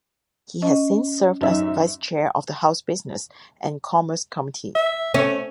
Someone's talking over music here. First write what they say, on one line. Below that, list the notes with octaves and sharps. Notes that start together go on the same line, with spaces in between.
He has since served as vice chair of the House Business and Commerce Committee.
C#4 D#5
F#2 D#4 E5
E5
A3 C#4